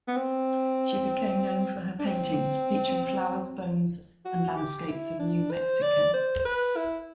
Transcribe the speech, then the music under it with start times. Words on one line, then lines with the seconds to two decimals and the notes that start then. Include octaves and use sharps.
She became known for her paintings, featuring flowers, bones, and landscapes of New Mexico.
0.08 B3
0.17 C4
1.99 D4
2.05 C4
4.25 F#4
4.57 G4
4.88 E4
5.19 D4
5.51 C5
5.82 D5
6.14 C5
6.39 C5
6.45 B4
6.76 E4